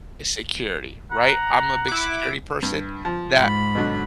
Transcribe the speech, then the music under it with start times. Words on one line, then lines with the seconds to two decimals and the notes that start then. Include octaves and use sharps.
is security, right, I'm a big security person that
1.12 F#5 A#5
1.88 E4 D6
2.63 G2
3.05 F3
3.38 G#2 B5
3.75 B2 D3 F#3